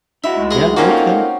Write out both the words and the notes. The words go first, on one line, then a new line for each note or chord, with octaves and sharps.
Yeah, okay,
D#4 E4 F#4 E5
C#2 G#3 A3
G#4 D#5
A#2 A#3 C4 C#4 D#4 F#4
A4 F5